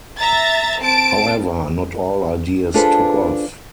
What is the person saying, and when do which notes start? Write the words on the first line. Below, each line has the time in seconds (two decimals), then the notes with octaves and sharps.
However, not all ideas took off.
0.17 E5 A#5 A6
0.81 C4 A5 D7
2.74 D4 F4 G#4 A4 B4 C5